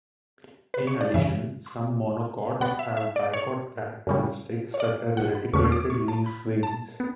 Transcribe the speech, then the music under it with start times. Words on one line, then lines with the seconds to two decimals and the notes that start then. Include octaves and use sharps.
In addition, some monocots have dicot characteristics such as reticulated leaf veins.
0.74 B4
0.87 C#5
1.01 D5
1.14 F#2 C#3 E3 E5
2.60 B2 G3 B3 F#5
2.79 E5
2.97 E5
3.16 D5
3.33 C#5
4.07 F#2 C#3 G3
4.74 C#5
4.80 D5
5.17 F#5
5.35 B5
5.53 E2 D3 A3 C#4 C#6
5.64 E6
5.72 D6
5.90 C#6
6.08 A5
6.26 B5
6.63 A5
7.00 B3